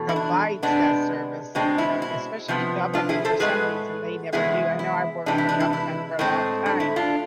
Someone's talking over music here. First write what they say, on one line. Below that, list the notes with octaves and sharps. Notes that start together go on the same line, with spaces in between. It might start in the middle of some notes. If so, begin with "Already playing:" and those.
provides that service, you know, especially government for some reason, they never do. I know I worked for government for a long time,
Already playing: E2 B2 A3
E4
D4
C3 G#3 B3 D4
B2 G#3 C4 D4
E4
E4
C3 F3 B3
D4 F4
E4 G#4
A4 C5
A2 G#3 B3 G#4 B4
E2 C3 G#3 B3 E4 G#4
E4
C3 E3 G#3 D4
E4
D4
E4
E4
A2 G#3 C4
D4
E4
D4 F4